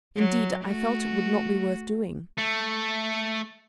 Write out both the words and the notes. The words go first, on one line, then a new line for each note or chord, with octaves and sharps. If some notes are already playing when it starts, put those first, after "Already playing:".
Indeed I felt it would not be worth doing.
F#3
A3 F#4
A3